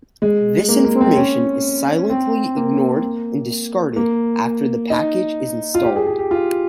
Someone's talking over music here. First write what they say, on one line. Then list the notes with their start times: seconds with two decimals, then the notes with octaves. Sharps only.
This information is silently ignored and discarded after the package is installed.
0.22 G#3
0.69 A#3
0.85 A#3
1.01 C4
1.16 C#4
2.10 C4
2.56 A#3
3.96 A#3
4.90 D#4
5.74 F4
5.84 G4
5.96 G#4
6.07 G#4
6.19 G4
6.31 F4